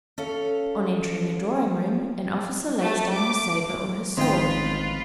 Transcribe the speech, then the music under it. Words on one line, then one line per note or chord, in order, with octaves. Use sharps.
On entering a drawing room, an officer lays down his sabre or his sword.
C#4 A4 F5
A3
D6
A1 D#3 G#3 C4 F4 B4 G5